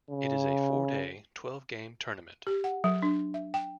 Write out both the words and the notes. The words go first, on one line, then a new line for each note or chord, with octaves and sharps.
It is a four-day, twelve-game tournament.
C#3
G4
F#5
F#3
D4
E5
G5